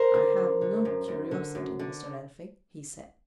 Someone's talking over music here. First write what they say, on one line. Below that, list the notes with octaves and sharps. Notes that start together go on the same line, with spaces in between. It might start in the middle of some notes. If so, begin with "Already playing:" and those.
"I have no curiosity, Mr. Elphick," he said.
Already playing: A#4 C5
D3
F#2
D3
F#2
F#2
D3
F#2
D3